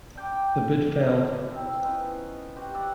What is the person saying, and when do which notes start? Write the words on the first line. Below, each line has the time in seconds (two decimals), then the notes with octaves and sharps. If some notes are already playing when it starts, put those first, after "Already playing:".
The bid failed.
0.15 D3 G5 D6
1.02 A#2 D3 A#4 A5
1.51 C4 E4
1.82 B3 C#4 D#4 F4
2.56 F#4 G4 C5
2.74 B4 D5 E5 F#5